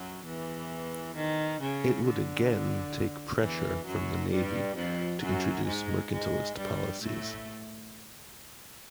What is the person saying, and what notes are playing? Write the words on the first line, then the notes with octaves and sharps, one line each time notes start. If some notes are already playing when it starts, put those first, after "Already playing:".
It would again take pressure from the navy to introduce mercantilist policies.
Already playing: F#2 F#3
E2 E3
D#3
C#3
D3
E2 E3
F#2 F#3
G2 G3
F2 F3
F#2 F#3
G#2 G#3
G#2 G#3
G2 G3
A2 A3